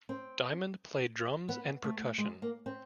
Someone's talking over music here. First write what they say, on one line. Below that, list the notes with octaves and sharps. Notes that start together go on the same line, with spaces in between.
Diamond played drums and percussion.
C4
B3
A3
G#3
A#3
C4